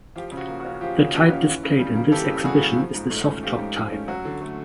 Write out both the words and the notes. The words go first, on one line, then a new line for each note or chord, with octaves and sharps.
The type displayed in this exhibition is the soft top type.
F3 F4 G4
C#3
F#4
A#3
F#4
C#4
F3 F4 G4
C#3
A#3 F4 G4
C#4
E3
C#3
G3
A#3
E3 G4 A4
C#3
G3 F#4 G#4
A#3
F3
G#2
A3
C#4
F3 F4 G4
G#2
A3 F4
C#4
F#3 F#4
D3
A3